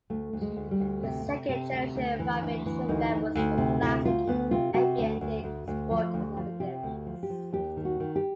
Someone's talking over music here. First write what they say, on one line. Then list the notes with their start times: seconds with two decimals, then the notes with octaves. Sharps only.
The second generation Fabia trim levels were Classic, Ambiente, Sport and Elegance.
0.10 D2 A3
0.33 D2
0.41 G#3
0.56 D2
0.71 G3
0.80 D2
1.03 C3
1.26 C3
1.49 C3
1.72 D2
1.95 D2
2.19 E3
2.43 D2
2.66 E3
2.89 D2 D#4
3.12 D2
3.35 D2
3.58 C3
3.81 D2 E4
4.05 D2 F4
4.27 D2 B3
4.51 C3 F4
4.74 C3 F#4
4.98 D2
5.21 D2
5.44 D2
5.68 D2
5.91 F3
6.14 D2
6.37 F3
6.60 C3 G4
6.83 D2
7.06 F3
7.23 G4
7.30 F3
7.53 D#2 G4
7.77 D#3
7.85 F#4
8.00 D#3
8.16 G4